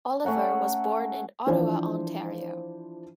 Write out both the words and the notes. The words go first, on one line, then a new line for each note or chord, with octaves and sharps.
Oliver was born in Ottawa, Ontario.
A3 C#4 F#5 A#5
E3 F3 D4 C5